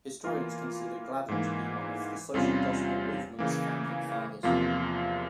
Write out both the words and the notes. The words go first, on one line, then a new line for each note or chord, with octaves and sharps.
Historians consider Gladden to be one of the Social Gospel Movement's founding fathers.
E3 A#3 F4 A#4
G#2 E3 A#3
E2 C3 G3 C#4 F4
C#3 E3 A#3
E2 C3 F3 A#3 F4